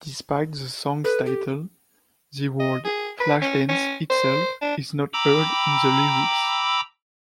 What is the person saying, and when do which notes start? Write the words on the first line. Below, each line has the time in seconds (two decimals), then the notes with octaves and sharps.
Despite the song's title, the word "Flashdance" itself is not heard in the lyrics.
1.04 A4 B4
1.26 G4
2.60 D#5
2.85 G#4
3.20 B4
3.42 C#4
3.69 C#4
4.10 C5
4.62 D4
5.13 G5 A#5 B5 D6 E6